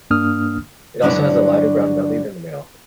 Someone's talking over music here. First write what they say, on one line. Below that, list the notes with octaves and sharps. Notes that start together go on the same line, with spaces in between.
It also has a lighter brown belly than the male.
G2 A#3 D4 D#6 F6
G2 D3 F#3 G#3 D4 E4